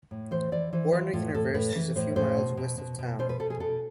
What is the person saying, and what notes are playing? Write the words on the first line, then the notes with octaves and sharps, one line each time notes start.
Warner University is a few miles west of town.
A2
E3 C5
E3 D5
E3 C5
E3 F4
A2 F4
A2 A4
A2 B4
E3
A2 C5
A2 C5
B2
B2
B2
B2
B2 C5
B4
B2 A4
G#4
B2 A4